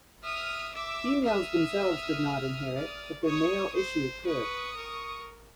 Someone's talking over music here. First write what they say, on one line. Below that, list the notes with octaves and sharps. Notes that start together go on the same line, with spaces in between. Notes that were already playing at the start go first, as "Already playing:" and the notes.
Females themselves did not inherit, but their male issue could.
E5 D#6 F6
E5 D6 E6
E5 D#6 F6
D5
C#5 C#6 D#6
C5
B4 C#6 D#6
A#4